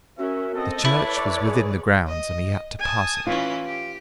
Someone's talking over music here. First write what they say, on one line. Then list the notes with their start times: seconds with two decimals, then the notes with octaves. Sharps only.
The church was within the grounds, and he had to pass it.
0.19 C#4 F#4 A#4 E5
0.54 C4 A4 D#5
0.85 E4 B4 C#5 D5 E5
1.46 G#4
2.07 D#5
2.80 G#5 A5 D#6
3.27 E3 C#4 E4 F4
3.64 G4